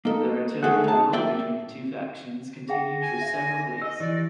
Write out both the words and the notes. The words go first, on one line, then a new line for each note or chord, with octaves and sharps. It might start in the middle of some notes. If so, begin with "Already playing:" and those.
The artillery battle between the two factions continued for several days.
A#3 D#4 A4
G#3 A3 G#4 A4 F#5
D#4 A5
A#3 D5 E5 G5
G#4 F#5 G5 A#6
G#5
E5
D#5 E6
E3 G4 D5